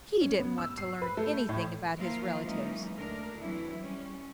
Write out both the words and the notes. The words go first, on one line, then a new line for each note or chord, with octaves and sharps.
He didn't want to learn anything about his relatives.
C#4
B3
E6
C7
B4
A3
A2
F3 A#3 E4 F4 A#4 F5
E3 F#3 G#3 A#3 C#4 D#4
D2 D4 A#4
E3 F#3 C4 D4 E4
G3 C#4